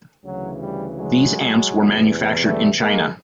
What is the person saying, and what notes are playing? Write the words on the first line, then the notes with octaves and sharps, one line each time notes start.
These amps were manufactured in China.
D2 C#3 E3 F#3
G3
F#3 G#3
E2 C3 E3
G3 A3
G#3 A#3